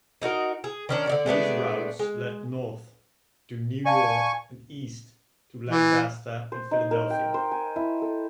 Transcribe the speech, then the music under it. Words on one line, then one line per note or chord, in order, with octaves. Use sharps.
These routes led north to New York and east to Lancaster and Philadelphia.
D4 D#4 F#4 A#4
G#4
D#3 C#4 D4
D3 D#4 D5
G#3 A3 B3 D4
G#3
D5 F5 G#5 A5 C#6
E3
C5
D#4
A#4
G5
C5
G#5
E4
A4